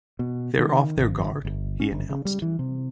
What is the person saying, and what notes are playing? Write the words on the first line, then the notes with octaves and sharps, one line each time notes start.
"They're off their guard," he announced.
B2
D#3
G#1
G1
C#4
G1
C#3
G3
E3
C3